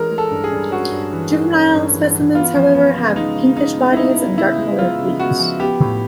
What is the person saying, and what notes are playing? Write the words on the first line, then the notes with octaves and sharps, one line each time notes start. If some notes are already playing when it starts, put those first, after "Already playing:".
Juvenile specimens, however, have pinkish bodies and dark-colored feet.
Already playing: E3 G#3 C#4 A#4
G#3
A4
G2
G#4
G2
C#4 F#4
G2
E3
G#3
C#4
G2
E3
E3
B3 F4
F3
B3
C#3
G#3 D#4
C#3
C#3 D#4
B3
E4
B3 D#4
B3
C#3 E4
G#3
B3 F4
C#3
B3 F#4
F3
B3 G4
A2